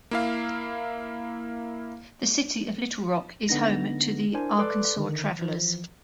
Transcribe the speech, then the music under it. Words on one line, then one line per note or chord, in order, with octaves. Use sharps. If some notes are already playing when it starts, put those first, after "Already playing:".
The city of Little Rock is home to the Arkansas Travelers.
A#3 E4 F5
D3 B3 D4 D#4 A#6
D4 E4 A#4 C5 G#5
A4 B4 D5 C6 D6 F#6
D3 D#3
E3 F3